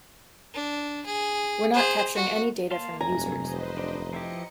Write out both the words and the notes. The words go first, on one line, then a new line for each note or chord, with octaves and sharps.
We're not capturing any data from users.
D4
G#4
G#4 C5
F#4
A#3 F5 A5 C6
F1 G2 C3 F#3 G#5 A#5
F1 B4 C5 D#5
D4
F3 E4 G4 D#5 C#7